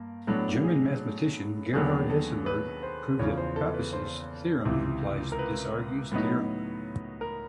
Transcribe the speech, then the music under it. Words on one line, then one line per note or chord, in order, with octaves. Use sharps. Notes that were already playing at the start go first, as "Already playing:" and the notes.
German mathematician Gerhard Hessenberg proved that Pappus's theorem implies Desargues's theorem.
Already playing: G2 A#3
A2 F#3 B3 D4 A4
G#4
D#2 D#3 F#3 B3 D4 G#4
A4
B4
C5
E2 C#3 F3 C#5
C5
A4
B4
C5
C#2 C3 E3
A#4
B4
A2 F#3 B3 D#4
A#4